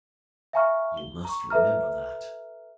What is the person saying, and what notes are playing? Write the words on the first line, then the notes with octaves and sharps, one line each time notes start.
You must remember that....
E5 F5 G#5 A#5 C#6 F6
G7
A#5 C#6
A4 B4 E5 A#5 F6